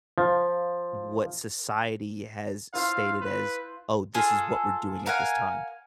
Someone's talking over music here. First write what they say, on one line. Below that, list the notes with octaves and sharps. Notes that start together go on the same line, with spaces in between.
what society has stated as, "Oh, this is what we're doing at this time."
F3
E4 F4 C5 F5
B4
F4 G#4 A4
A#4 F5 F#5 G#5